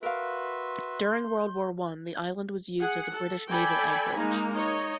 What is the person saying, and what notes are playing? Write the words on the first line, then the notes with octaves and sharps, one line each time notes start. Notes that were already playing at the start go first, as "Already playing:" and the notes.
During World War One, the island was used as a British naval anchorage.
F#4 A#4 B4 E5 F5 C6
G6
G#4 F#5
A4
A4 D5 G5 G#5 B5
G#3 A#3 D#4
D#4 C#5 D#5